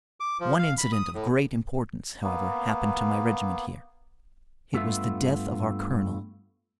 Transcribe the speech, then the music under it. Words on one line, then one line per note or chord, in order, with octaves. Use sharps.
One incident of great importance, however, happened to my regiment here. It was the death of our colonel.
D6
F3
F5
B5
D#6
A2
A#3 B3
G2 A3 B3 F4 E5